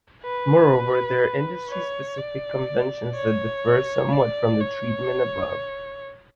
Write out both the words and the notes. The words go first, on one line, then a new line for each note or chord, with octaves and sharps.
Moreover, there are industry-specific conventions that differ somewhat from the treatment above.
B4
C#5
D5
C#5
D5
C#5